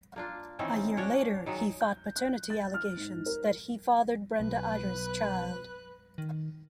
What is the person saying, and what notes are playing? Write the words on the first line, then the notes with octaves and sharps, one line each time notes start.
A year later, he fought paternity allegations that he fathered Brenda Ayres' child.
A#3 D4 F4
D#3 E3 C4 C#4
C#4 D4 F#4 C#5
D#3 F#3 G#3
G6
F#6
A6
F6
G#2
A#4
B1 B4 F#6
D#3